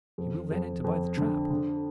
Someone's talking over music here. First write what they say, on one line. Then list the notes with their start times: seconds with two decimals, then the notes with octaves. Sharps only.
"He will then enter by the trap."
0.18 F2
0.51 F2
0.84 F2
1.17 D3
1.50 D3